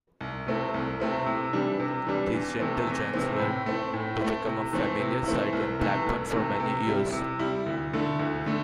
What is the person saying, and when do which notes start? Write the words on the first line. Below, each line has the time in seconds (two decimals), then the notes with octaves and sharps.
These 'gentle giants' were to become a familiar sight in Blackburn for many years.
0.21 C2
0.47 C3 A3 C4 E4
0.74 C2
1.00 C3 A3 C4 E4
1.26 C3
1.53 E3 G3 D4
1.80 C3
2.07 E3 G3 D4
2.33 E2
2.60 C3 E3 A3 C4
2.87 E2
3.14 C3 E3 A3 C4
3.39 A2
3.66 A3 C4 E4
3.94 A2
4.19 A3 C4 E4
4.46 C3
4.73 E3 A3 C4 E4
5.00 C3
5.26 E3 A3 C4 E4
5.53 C2
5.79 C3 E3 A3
6.06 C2
6.33 C3 E3 A3
6.60 C3
6.87 G3 E4
7.12 C3
7.39 G3 E4
7.66 D2
7.93 D3 A3 E4
8.19 D2
8.46 D3 A3